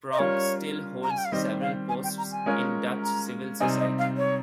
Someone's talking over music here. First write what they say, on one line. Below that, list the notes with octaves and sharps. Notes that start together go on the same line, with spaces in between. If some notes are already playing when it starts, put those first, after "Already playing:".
Pronk still holds several posts in Dutch civil society.
D#5
G3 C#4 F4 A#4 C#5
A#5
G#5
G5
F5
D#3 G3 C4 G4 C5 D#5
F5
G#5
G5
A#5
G#5
G#3 C#4 F4 A#4 C#5
A#5
C3 G3 C4 D#4 G#5
D#5
F5
C#5